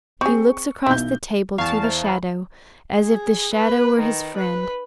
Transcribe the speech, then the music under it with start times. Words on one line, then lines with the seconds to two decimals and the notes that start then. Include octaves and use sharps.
He looks across the table to the shadow, as if the shadow were his friend.
0.21 C4 G#4 C#6
0.86 B1 E3 G6
1.58 E2 F5 A5 C#6
1.83 C5 E5 A#5
2.05 B5
3.00 G#4
3.55 B4
4.00 D#3
4.38 B4